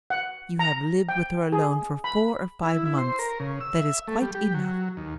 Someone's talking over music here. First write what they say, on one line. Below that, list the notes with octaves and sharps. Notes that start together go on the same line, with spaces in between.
You have lived with her alone for four or five months; that is quite enough.
F#5
A#5
G5
G#4
B5
E4
E4
C5
A#4
C#3
E6
E5
A3
G3
G4
F#3
D#2